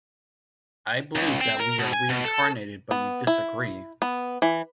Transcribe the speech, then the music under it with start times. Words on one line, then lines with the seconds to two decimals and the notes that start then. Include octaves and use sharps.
I believe that we are reincarnated but you disagree.
1.16 C#2
1.41 C4
1.60 A#4
1.79 B2
1.93 G#5
2.10 B2
2.25 A4
2.91 B3
3.27 E4
4.02 B3
4.42 E3